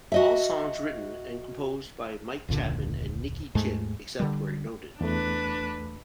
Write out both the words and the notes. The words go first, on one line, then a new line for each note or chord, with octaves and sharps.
All songs written and composed by Mike Chapman and Nicky Chinn except where noted.
F#4 D#5 E5
E1 C#2 A#2 D3
D#2 G#2 G#3 A3
D3 G3
E2 A3 D4 B4